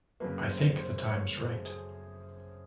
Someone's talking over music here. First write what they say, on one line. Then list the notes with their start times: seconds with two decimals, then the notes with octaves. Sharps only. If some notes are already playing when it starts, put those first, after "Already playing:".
I think the time's right.
0.20 F#2 C#3 F#3 A#3 B4
0.50 C5
0.78 C5
1.07 C#5
1.36 F#2 C#3 F#3 A3 C5
1.65 G#4